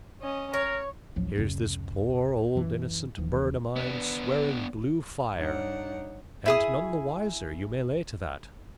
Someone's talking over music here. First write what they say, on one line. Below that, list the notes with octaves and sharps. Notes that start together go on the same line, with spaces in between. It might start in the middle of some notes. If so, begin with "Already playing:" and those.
Here's this poor old innocent bird o' mine swearing blue fire, and none the wiser, you may lay to that.
C#4 D#5
A#4 C#5 C#6
A1 D2 F3 F#3
D1 F#2 C#3
F#2 E3
D#1 D#2 E3 F3
B3 D4
G2 D4 D#4 C#5 F#5
E4 G#4 D#6